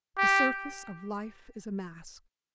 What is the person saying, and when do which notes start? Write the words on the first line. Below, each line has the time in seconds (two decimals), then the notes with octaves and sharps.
The surface of life is a mask.
0.18 G4